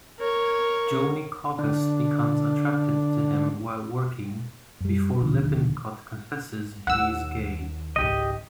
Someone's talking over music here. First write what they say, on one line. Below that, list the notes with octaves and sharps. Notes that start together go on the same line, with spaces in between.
Joanie Caucus becomes attracted to him while working before Lippincott confesses he is gay.
A#4 C#5
D3 D4
F#2 G3
E1 A#1 D#2 D3
D#2 F#5 E6
G#1 C#2 G4 D#5